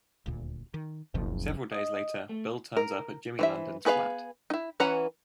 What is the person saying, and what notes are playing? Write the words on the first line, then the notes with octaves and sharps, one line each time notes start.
Several days later, Bill turns up at Jimmy's London flat.
D#1 D2 A#2
D#3
F#1 C#2 B2 F3
D#5
A3
A#4
E3 C5 E5
B3 G#4 B4 D5 F5
D#4 E4
E3 C#4 B4 F#5 A#5